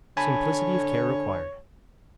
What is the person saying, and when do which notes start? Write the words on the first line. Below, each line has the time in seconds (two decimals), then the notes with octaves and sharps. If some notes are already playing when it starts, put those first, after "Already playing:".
Simplicity of care required.
0.17 D3 C#5 G#5 A5 B5